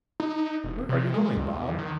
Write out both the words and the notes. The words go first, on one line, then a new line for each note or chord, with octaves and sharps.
"Where are you going, Bob?"
D#4
E1
C3
G#3
C#2
E2
D#3